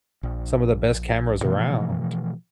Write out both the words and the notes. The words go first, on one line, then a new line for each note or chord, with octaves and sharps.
some of the best cameras around.
A#1
B2 E3 F3 A3